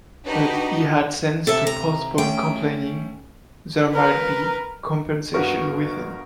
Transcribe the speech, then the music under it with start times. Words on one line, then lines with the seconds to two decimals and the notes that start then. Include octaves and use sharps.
But he had sense to postpone complaining: there might be compensation within.
0.25 D4 D#4 F#4 G4 B4
1.47 C3 A4 E5
1.67 A#5
2.18 A3 C#4 G5
3.91 A#4 B4
5.34 G1 B3 F#4 A#4 C#6